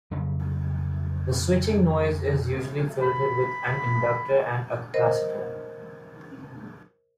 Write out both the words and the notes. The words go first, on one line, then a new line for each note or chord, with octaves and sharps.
The switching noise is usually filtered with an inductor and a capacitor.
F2 C#3 F#3 G3
B5
A#4 C5 D#5